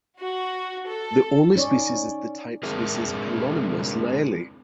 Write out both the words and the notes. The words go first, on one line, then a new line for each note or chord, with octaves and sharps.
The only species is the type species Hylonomous lyelli.
F#4
A4
C#4 D#4 C#5 D5
G#3 C4 D4 E4 G#4 A#4